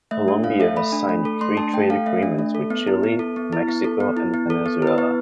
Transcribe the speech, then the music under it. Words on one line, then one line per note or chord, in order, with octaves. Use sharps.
Colombia has signed free-trade agreements with Chile, Mexico, and Venezuela.
A3 E5
D4
A3 F5
A4 E5
A3 B5
D4
A3
A4
A3 C6
D4 A5
A3 G5
A4 F5
A3 E5
D4
A3
A4
B3
E4
B3
A4
B3
E4
B3
A4
B3
E4
B3
A4
B3
E4 B4
B3